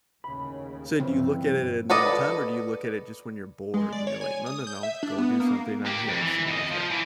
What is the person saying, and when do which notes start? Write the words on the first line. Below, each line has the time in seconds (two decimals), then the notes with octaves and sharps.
So, do you look at it at a normal time, or do you look at it just when you're bored and you're like, "No, No, No, go do something on here," or something like that?
0.24 A1 D#2 C#3 B5
1.00 G2 C#3 E3 F3 C4
1.90 A4 B4 D5 D#5
3.74 G#3
3.93 D5
4.07 C#5
4.21 G#5
4.46 D#6
4.67 G6
4.83 E5
5.03 D4
5.18 B3
5.40 A#3
5.85 A#3 G4
6.08 F2
6.21 E3
6.47 F2 D#5
6.71 F3
6.90 E3